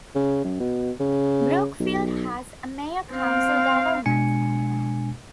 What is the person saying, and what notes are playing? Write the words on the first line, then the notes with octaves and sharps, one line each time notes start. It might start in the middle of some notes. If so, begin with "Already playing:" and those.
Brookfield has a mayor-council government.
C#3
F#2
B2
C#3
B1
C4 F5
B2 G#3 D4 G#5 C#7